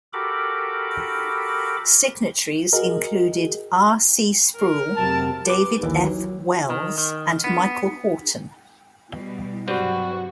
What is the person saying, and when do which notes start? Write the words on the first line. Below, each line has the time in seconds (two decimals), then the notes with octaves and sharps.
Signatories included R. C. Sproul, David F. Wells, and Michael Horton.
0.13 F#4 G4 A4 A#4 B5 D6
2.73 F#4 G#4 A#4 D#5
4.56 A#4
4.96 F1 C3 F#3 A5
5.46 G4 B4 D6
5.81 A#1 D#2 D#3 E3
6.04 F#3
6.70 D#3
6.98 D#3
7.44 B3
9.12 B2 G3
9.68 G2 C3 F#3 G3 C4 F#4 B4